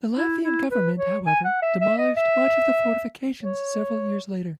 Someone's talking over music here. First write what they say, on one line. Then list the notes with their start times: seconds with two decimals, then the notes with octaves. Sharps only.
The Latvian government, however, demolished much of the fortifications several years later.
0.18 E4
0.44 E4
0.71 B4
0.99 C#5
1.27 G#5
1.45 F#5
1.62 E5
1.81 E5
1.98 D#5
2.17 E5
3.43 C#5